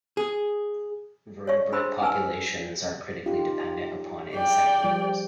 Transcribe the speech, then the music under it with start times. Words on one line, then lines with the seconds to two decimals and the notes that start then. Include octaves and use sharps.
Vertebrate populations are critically dependent upon insect numbers.
0.17 G#4
1.47 C#5 D5 E5 C#6
1.72 D4 G#4 C5 B5 C6 E6
2.02 D#4 B4 G#5 E6
3.26 D#4 F4 G4
4.34 G#4 D5 G5
4.84 F3 G3